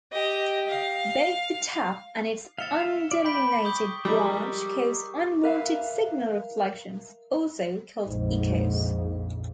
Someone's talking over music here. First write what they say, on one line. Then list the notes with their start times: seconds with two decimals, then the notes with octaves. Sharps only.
Both the tap and its unterminated branch cause unwanted signal reflections, also called echoes.
0.12 G4 D#5
0.69 F5
2.58 E5 F5 A6 C#7 G7
3.11 D5
3.24 G5 B5 D6 G6 B6
3.64 C#6 D#6 G6
4.05 G3 G#3 G4 A#4 D6 E6
5.43 A#4 B4 E5 F5
8.06 A#1 F2 G#2